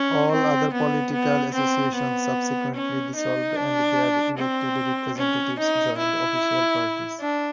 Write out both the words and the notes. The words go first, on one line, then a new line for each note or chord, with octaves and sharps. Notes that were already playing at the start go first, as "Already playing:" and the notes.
All other political associations subsequently dissolved and their elected representatives joined official parties.
Already playing: C#4
C4
B3
B3
C4
B3
C#4
D#4
D4
C4
C#4
D#4
E4
D4